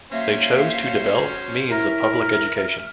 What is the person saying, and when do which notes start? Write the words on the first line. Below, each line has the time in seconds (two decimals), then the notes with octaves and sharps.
They chose to develop means of public education.
0.12 F#3 A#3 C#4 C5 E5 F5
1.70 E4 A#4 E5 F6